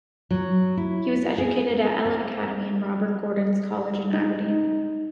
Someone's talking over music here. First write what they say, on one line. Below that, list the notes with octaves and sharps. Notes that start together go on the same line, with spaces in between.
He was educated at Ellon Academy and Robert Gordon's College in Aberdeen.
F#3
E4
G#4
C4
D#4